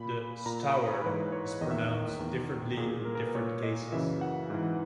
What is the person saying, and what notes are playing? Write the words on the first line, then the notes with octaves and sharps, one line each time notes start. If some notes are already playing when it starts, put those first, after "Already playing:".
The "Stour" is pronounced differently in different cases.
Already playing: A#2 B5
A#2 A#5
B5
A#5
C#5
G#2 E3 B4
C#5
E2 D#3 D#5
E5
A#4
E2 D#3
A#2 G#4
A#4
A#4
B4
A#2 C#5
D#5
F#2 C#3 E3 E5
F#5
G#2 E3